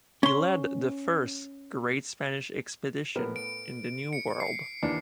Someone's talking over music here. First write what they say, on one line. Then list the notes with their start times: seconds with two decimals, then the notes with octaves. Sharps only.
He led the first great Spanish expedition in the New World.
0.23 C#4 C6
3.15 A2 B3 A#4
3.36 D7
4.13 C#7
4.40 C7
4.83 D#2 E3 D4